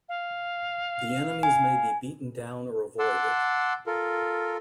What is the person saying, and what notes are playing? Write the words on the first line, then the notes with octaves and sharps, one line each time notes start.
The enemies may be beaten down or avoided.
F5
G#5
F#5 A5 C6 D6 E6
F4 A4 A#4